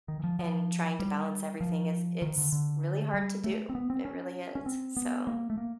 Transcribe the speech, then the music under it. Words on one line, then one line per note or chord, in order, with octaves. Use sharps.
and trying to balance everything is it's really hard to do, it really is, so,
D#3
E3
F3
F3
G3
F3
D#3
D3
D3
G3
A3
C4
B3
C4
C#4
C#4
C4
B3
A#3
A3
A#3